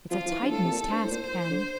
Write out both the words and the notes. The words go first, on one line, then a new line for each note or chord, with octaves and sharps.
"It's a Titan's task, Ken."
F3 F4
F3
E3
G2
A2 A4
C3
A#2
G2 C5
A2
A#2
D3